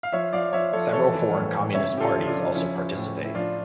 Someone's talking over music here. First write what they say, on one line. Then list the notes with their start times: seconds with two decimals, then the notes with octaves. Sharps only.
Several foreign communist parties also participate.
0.03 F5
0.12 F3 C#5 E5
0.33 F3 D5 F5
0.53 F3 C#5 E5
0.73 F3 A4 C#5
0.93 E3 A4 C#5
1.14 E3
1.34 A2
1.54 A2
1.74 C#3 C#5 E5
1.94 C#3 G4
2.00 F4 A4
2.15 F3
2.27 D4 F4
2.34 F3
2.55 F3 C#4 E4
2.75 F3
2.95 A2
3.15 A2
3.24 E4
3.35 F3 D4 F4